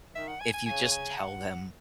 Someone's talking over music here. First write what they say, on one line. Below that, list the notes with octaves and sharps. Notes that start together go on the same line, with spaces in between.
if you just tell them,
D#3 E5
F#5
G#5
G#5
C#3 G#5
G#5
F#5